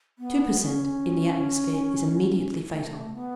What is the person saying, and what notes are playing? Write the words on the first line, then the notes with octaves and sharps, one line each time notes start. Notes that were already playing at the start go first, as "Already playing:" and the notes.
Two per cent. in the atmosphere is immediately fatal.
B3
C#4
A3
A3
B3